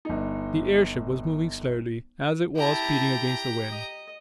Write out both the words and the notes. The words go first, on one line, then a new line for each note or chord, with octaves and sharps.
The airship was moving slowly, as it was beating against the wind.
G1 D#4
E4 G4 A5 A#5
D#5